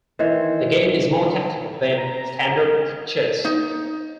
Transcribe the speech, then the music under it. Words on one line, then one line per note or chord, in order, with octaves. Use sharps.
The game is more tactical than standard chess.
D#3 E3 C5 C#5
A#5
D#4